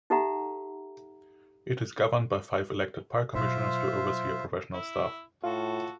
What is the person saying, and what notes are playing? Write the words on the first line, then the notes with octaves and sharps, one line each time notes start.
It is governed by five elected park commissioners who oversee a professional staff.
D#4 G4 A4 E5 F#5 A#5
B2 F#3 F4 C5 E5
E4
A2 F4 F#4 A4